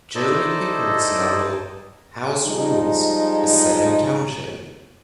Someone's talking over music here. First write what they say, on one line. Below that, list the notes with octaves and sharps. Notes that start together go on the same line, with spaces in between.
Jodi Picoult's novel "House Rules" is set in Townshend.
D#4 E4 A4 C5 D5 D#5
F3 G3 G#3 D#4